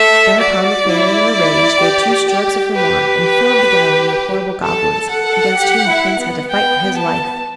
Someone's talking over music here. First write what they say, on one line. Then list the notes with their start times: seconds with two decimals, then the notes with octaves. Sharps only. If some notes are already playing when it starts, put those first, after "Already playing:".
Thereupon the Fairy, in a rage, gave two strokes of her wand and filled the gallery with horrible goblins, against whom the Prince had to fight for his life.
Already playing: A4 E5
0.40 F#4 D5
0.88 E4
1.34 E4
1.82 G4
2.29 G4
2.76 G4 B4
3.22 G4
4.63 A4 A5
4.94 A4
5.11 F#5
5.26 A4
5.57 G4
5.88 E4
6.19 B3
6.51 G5
6.97 A5